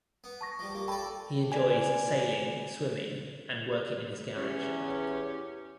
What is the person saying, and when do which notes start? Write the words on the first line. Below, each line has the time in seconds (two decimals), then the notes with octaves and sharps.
He enjoys sailing, swimming, and working in his garage.
0.24 B3
0.41 A5 C#6 A#6
0.59 F3 G3
0.75 A#3 G4
0.88 A4 D5 G5 A5 B5
1.52 B4 D5 G#5
4.36 E2 C#4 G4